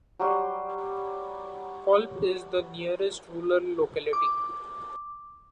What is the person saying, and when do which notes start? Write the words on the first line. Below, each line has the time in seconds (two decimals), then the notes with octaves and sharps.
Kolp is the nearest rural locality.
0.19 F#3 G3 C6
4.13 D6